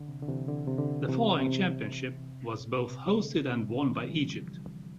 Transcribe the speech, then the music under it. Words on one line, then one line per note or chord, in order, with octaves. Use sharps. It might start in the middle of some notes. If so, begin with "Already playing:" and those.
The following championship was both hosted and won by Egypt.
Already playing: D3
C3
D3
C3 E3
D3
C3
D3
C3 E3
C3
C3
C3
D3
C3
D3
D3 F3
E3 G3